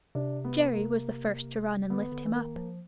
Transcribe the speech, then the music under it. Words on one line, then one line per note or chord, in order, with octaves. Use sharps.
Jerry was the first to run and lift him up.
C3 D4
B3
A#3
D3 B3
D3
E3
D#3 A#3
F3